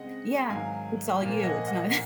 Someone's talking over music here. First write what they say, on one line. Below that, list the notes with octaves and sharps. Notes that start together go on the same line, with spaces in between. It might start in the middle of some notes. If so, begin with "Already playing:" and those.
Yeah, it's all you, it's not
Already playing: C#3 G#3 C4 D#5 F#5
G#2 D#3 F#3 F5 G#5
A#2 F3 A#3
G#5
D#5 F#5
D#5 F#5
A#2 F#5